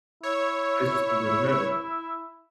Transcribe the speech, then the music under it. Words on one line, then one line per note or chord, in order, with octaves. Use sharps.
replaced with something better
E4 C#5